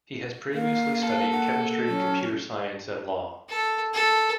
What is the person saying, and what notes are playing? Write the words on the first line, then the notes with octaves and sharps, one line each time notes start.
He has previously studied Chemistry, Computer Science and Law.
A#3 F5
A4
F#5
F#3 C#4
A4
A4